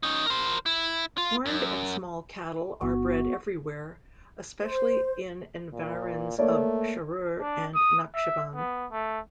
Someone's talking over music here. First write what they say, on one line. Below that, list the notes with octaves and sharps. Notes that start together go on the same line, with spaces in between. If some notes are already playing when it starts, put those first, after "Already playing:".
Horned and small cattle are bred everywhere, especially in environs of Sharur and Nakhchivan.
C#4 D#4
A#4 C5
E4
F4
F#2
G1 B3 F#4
C5
A#2
A3 A#3 C#5 D5
D4
D#6
E5
B3
A3